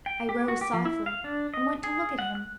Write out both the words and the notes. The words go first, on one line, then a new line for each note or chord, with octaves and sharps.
I rose softly, and went to look at him.
G5
G4
F#4
G4
F3
E4
F5
D4
D#5
G#4
F#5
F#6